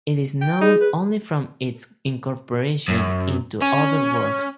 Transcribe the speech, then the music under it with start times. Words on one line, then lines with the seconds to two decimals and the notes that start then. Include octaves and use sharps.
It is known only from its incorporation into other works.
0.41 G5
0.61 D#4 G#4
0.81 B4
2.88 F#2
3.62 C#4